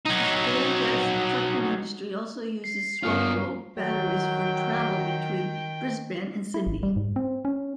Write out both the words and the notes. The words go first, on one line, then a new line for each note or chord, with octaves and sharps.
Australia’s trucking industry also uses swappable batteries for travel between Brisbane and Sydney.
F#3 D#4
C7
G2 A#3 B3 C#4 F4 F6
D#3 F#3 G5
E4
G#1
G3
G#2
C4
C#4